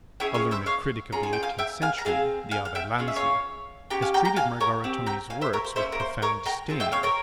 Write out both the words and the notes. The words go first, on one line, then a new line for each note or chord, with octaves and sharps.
A learned critic of the eighteenth century, the Abbe Lanzi, has treated Margaritone's works with profound disdain.
C#4 E4 G#4 E5 G5
C#5 F5
C5 E5
C#5 F5
C#4 F4 G#4 A#5
G#5
G5
F5 G#5
E5 G5
F5 G#5
A#5
C4 F4 G#4 F5 G#5
F5 G#5
F5
E5 G5
C#4 F4 G#4 F5
E5
C#5 F5
C#4 G4 G5 A#5
F5 G#5
G5 A#5
G5 A#5
F5 G#5
A#4 C#5
C4 G4
G5 A#5
F5 G#5
C5 E5
A#4 C#5
C5
A#3 C#4 E4 C5 E5
A#4
C5
A#4 C#5
G5 A#5
C4 F4 G#4
E5 G5
C#5 F5
A#4 C#5